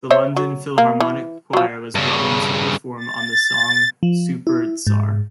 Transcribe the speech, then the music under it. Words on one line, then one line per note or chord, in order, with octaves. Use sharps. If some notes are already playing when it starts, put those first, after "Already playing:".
The London Philharmonic Choir was brought in to perform on the song "Supertzar".
C5 C#5 E5
F#3
A#3
E3
F3 F#3
G2 C#3
A6
F3
E4
G#2